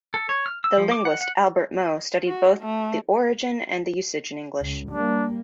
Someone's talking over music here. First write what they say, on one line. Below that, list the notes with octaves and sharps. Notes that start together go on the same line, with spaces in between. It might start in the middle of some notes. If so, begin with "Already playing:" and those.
The linguist Albert Moe studied both the origin and the usage in English.
A4
C#5
F6
E6
F3
D6
F#5
F#5
F#4
A3
C#2
G3 A#3 D4